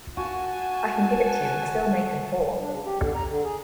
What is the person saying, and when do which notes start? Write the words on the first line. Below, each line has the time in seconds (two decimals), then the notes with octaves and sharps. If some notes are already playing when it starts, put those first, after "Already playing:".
I can give it to you and still mate in four!
0.17 F#4 F#5 G#5 A5
2.59 D4
2.71 C#3
2.86 G4
2.98 D3
3.15 A#5
3.27 D3
3.43 G#4